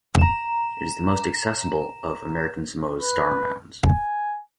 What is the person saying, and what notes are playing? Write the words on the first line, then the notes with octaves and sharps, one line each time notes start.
It is the most accessible of American Samoa’s star mounds.
A#5 E7
B4
G#5